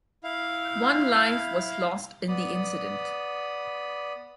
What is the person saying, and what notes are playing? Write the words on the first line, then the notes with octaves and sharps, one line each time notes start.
One life was lost in the incident.
E4 F5
B3 D5 B5 D#6